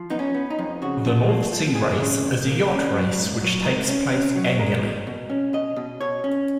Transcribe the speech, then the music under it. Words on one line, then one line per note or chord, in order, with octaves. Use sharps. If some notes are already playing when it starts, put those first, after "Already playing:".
The North Sea Race, is a yacht race which takes place annually.
Already playing: F3
B3 D#4
C#4
B3
D#4
F2
C#3 F#4
F3
A#3
F3
F2 G#4
C#3
F2
A#3
C#4
F#3
G#2
F#3
G#2 A#4
C#4
C#4
F#3
G#3 A#4
B2
B2
C#4
B2 D#5
B2
B2 C#5
C#4